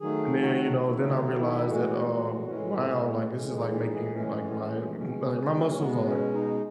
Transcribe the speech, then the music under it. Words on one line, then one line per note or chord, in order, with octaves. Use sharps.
and then, you know, then I realized that, uh, w wow, like, this is, like, making, like, my, m like, my muscles are like
D#3 F#3 A3 G#4
F#4
D#3 F#3 A3 E4
D#4
E4
A2 E3 G#3 F#4
F#4
A2 E3 G#3 C#4
B3
C#4
B3
B3
A2 E3 G#3 C#4
D#4
D#4
G#4
A2 E3 G#3 C#4
B2 G#3 C#4
B2 G#3 B3
C#4
D#4